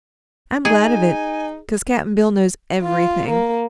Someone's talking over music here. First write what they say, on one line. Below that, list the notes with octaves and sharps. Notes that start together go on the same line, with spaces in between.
I'm glad of it, 'cause Cap'n Bill knows ev'rything.
D#4 G#4 G#5
F4
A#3